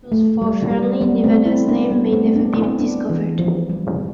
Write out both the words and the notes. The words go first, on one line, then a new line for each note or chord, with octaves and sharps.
The source for Fernley, Nevada's, name may never be discovered.
A3
G3
G3
G3 B3
A3 C4
C4 E4
B3 D4
G3 B3
A3 C4
B3 D4
C4 E4
B3 D4
E3
F3
G3